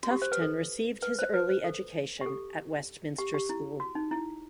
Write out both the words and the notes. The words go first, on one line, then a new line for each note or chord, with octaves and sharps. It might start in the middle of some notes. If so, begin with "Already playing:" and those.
Tufton received his early education at Westminster School.
F#4
G4
C5
B4
A4
B4
C5
B4
C5
A4
G4
A4
G4
G4
E4
F#4
D#4
E4